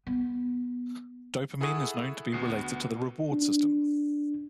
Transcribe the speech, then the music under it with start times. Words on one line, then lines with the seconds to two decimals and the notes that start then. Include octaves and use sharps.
Dopamine is known to be related to the reward system.
0.07 B3
1.61 E4 G#4 A4 F#5 C#6 D#6
2.32 D2 B3 F#4 C7
3.32 D4